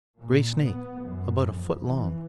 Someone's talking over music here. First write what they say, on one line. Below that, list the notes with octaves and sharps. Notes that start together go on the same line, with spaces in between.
Gray snake, about a foot long.
A#2
B3
F#2
F2
E3